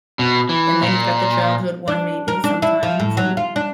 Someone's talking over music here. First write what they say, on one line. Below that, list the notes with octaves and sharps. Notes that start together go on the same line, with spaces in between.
and then you've got the childhood one maybe sometimes and
B2
E3
A#2
D4
A#4
D4
E4
F3
A2
F#3
F4
D4